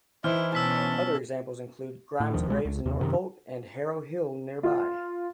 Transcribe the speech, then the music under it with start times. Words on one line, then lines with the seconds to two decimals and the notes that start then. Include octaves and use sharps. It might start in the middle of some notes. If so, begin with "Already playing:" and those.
Other examples include Grimes Graves in Norfolk, and Harrow Hill nearby.
0.24 E3 D#4 E4 C5 F6
0.55 B2 C#4 A5 E6 B6
2.20 A2
2.34 E1 D#2 D#3 F3
2.47 C2 B2 F#3 G#3
2.65 C#2
2.86 D#2 C3
2.99 F#2 C3 D#3
4.63 F4